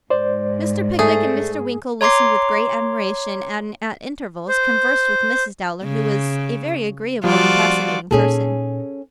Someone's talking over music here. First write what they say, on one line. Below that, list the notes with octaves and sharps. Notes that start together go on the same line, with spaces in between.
Mr. Pickwick and Mr. Winkle listened with great admiration, and at intervals conversed with Mrs. Dowler, who was a very agreeable and fascinating person.
G#2 C5 D5
A3 G#4
C#5 A#5 C6 D6 C7
C5
C#3
F3 G3 F4 F#4 D5
A#2 C#4 D#4 G#4 A4